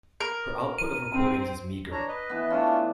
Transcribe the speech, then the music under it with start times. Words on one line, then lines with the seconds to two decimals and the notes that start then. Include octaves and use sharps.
Her output of recordings is meager.
0.20 A#4
0.78 D#7
1.12 C4
1.92 D4 C#5 A#5
2.08 B4 D#5
2.30 E3 B3
2.50 A3 C#4 D4 F4
2.67 D5